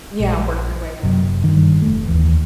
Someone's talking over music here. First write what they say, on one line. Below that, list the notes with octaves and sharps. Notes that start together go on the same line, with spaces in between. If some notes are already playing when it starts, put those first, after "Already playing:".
Yeah, work your way up.
A#1
F#1 C3 F#3
G2 D#3
F1 A3
D#2 E3